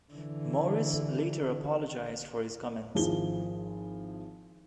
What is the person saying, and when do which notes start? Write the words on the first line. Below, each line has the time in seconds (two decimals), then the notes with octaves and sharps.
Morris later apologized for his comments.
0.12 D3 E3
2.95 G#1 F3 E4 G#4 G7